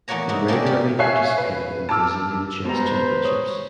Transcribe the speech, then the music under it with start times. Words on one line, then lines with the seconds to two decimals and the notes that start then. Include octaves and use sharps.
He regularly participated in Brazilian Chess Championships.
0.08 E2 A3 A#3 F#4 C#5 A#5
0.29 C3 D#4 E4 F#4
0.48 A3 A#3 C#4 D4 G4
0.66 C3 G3 G4
0.99 C#5 E5 F5 G#5 F#6 C7
1.37 B4
1.89 A5 D6 E6 F6
2.65 B2 G3 G#3 G4 B4 C5 A#5
3.25 C#5 D#6